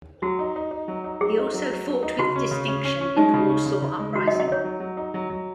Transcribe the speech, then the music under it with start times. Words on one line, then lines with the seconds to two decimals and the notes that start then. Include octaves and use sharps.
He also fought with distinction in the Warsaw Uprising.
0.22 F#3 F#4
0.39 D#4
0.56 D#4
0.71 D#4
0.88 F#3
1.04 D#4
1.20 F#3 G#4
1.38 D#4
1.54 F#3
1.69 F#3
1.87 F#3
2.03 D#4
2.18 C#3 F#4
2.36 C#4
2.51 C#3
2.68 C#4
2.85 C#4
3.01 C#4
3.17 G#3 D#4
3.34 C#3
3.50 C#4
3.66 C#3
3.82 C#3
3.99 G#3
4.16 D#4 F#4
4.28 D#5
4.32 F#3
4.40 D#5
4.48 D#4 C#5
4.64 F#3
4.80 F#3
4.97 D#4
5.14 F#3
5.30 F#3